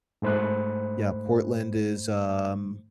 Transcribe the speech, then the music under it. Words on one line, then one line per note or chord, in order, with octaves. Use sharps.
yeah, Portland is ,um
G#2 A3 C5 B5 F#6